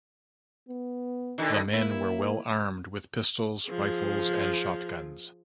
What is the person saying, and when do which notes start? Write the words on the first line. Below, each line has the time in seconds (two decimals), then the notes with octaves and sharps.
The men were well armed with pistols, rifles and shotguns.
0.69 B3
1.38 B2 D3 D#3
1.73 A#3 E4
3.67 F3 G#4